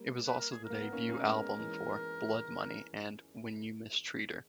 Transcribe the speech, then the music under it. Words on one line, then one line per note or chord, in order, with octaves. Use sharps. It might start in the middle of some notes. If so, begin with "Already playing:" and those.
It was also the debut album for "Blood Money" and "When You Mistreat Her".
Already playing: G3 A#3
B4
A#4
G#4
A#4
A#3
B3
A#3 C#4
A#3 C#4
G#3 B3
E3 G#3